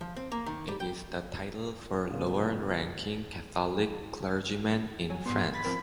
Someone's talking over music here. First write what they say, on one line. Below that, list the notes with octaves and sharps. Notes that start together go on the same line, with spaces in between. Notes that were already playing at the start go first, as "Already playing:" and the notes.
It is the title for lower-ranking Catholic clergymen in France.
F3
C4
A#3
D#3
G3
G5
A#2 C#3 F3 G3 A#3 B3
F#3 G#5
G#2 G3 B3 C6
B5 G#6 A6 B6
F3 C4 A#4